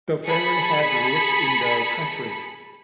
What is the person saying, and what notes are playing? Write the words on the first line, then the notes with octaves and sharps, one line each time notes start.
The family had roots in the country.
G#4 A5 B5 B6 C#7